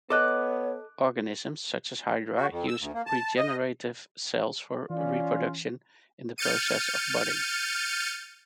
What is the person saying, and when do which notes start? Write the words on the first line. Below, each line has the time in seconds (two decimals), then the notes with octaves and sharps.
Organisms such as hydra use regenerative cells for reproduction in the process of budding.
0.10 B3 A4 C#5 D#5 D6 F#6
2.37 F#4
2.51 F2
2.68 E6
2.80 D2
2.94 A#3
3.06 A5
3.36 D#5
4.90 E3 C#4 F4 D5
6.38 F6 G6 A6 C#7 D#7